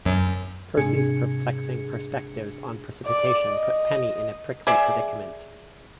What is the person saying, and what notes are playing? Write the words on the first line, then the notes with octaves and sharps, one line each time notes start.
Percy's perplexing perspectives on precipitation put Penny in a prickly predicament.
F#2
G#2 C3 D4 G#4 G#6 C#7
D5
D#5
G#4 D5 E5